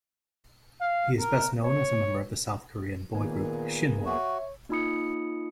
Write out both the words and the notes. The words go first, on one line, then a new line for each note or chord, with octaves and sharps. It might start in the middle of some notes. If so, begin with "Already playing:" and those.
He is best known as a member of the South Korean boy group Shinhwa.
F5
A#4
C#5
A#2 D#3 A#3 B3 G#4
F#4 C#5 E5
A#3 D#4 F4 B5 D#6 C#7